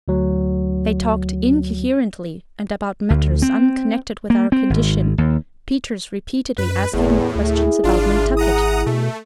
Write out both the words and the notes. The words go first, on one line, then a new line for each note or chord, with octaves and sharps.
They talked incoherently, and about matters unconnected with our condition, Peters repeatedly asking me questions about Nantucket.
D2 F#3
D2
C4
A#3
C4
G#1
D#2
F#2 B4
G1 E2 A2
D2 E4 G#4
G#1 D4 F4
F#5 A#5 D#6
B2 A3